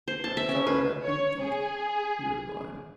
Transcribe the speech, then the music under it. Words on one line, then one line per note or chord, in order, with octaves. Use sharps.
"Black fellow hab big tink," he replied.
C5
A5
E5
C#4
B4
C#5
G#4